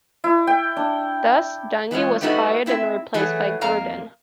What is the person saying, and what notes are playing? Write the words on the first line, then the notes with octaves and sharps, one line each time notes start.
Thus, Dungy was fired and replaced by Gruden.
E4
G5
D4
E3 G#3 C#4 F4
G3 A3 B3 D#4 E4 F#4
C4 E4 E5
E3 F#3 A3 G#4
F2 A#3 F5 A#5